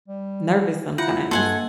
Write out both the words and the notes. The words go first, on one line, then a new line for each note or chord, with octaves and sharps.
nervous sometimes.
G3
E4 F4 F#5
G2 A#3 A4 F#5 G#5